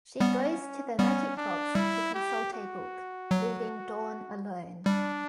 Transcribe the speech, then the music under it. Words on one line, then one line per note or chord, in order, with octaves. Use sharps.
She goes to the Magic Box to consult a book, leaving Dawn alone.
G3 B3 C#4
G3 B3 C#4
D4
G3 E4
G4
F#4
F#3
G3 D4